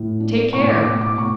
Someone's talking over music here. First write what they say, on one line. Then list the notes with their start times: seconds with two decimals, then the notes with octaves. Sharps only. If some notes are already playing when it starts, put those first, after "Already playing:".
Take care!
Already playing: A2
0.20 D4
0.53 A2 C#6
0.70 D6
0.85 A2 D6
1.01 D6
1.17 A2 C#6